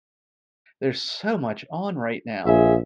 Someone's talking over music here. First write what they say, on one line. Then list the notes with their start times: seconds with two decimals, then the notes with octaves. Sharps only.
there's so much on right now
2.46 A#1 F4 G#4 E5